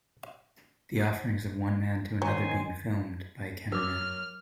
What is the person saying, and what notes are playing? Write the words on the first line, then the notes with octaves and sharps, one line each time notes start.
The offerings of one man to another being filmed by a cameraman.
D#3 F#3 C5 G#5
F#3 A#4 D6 F6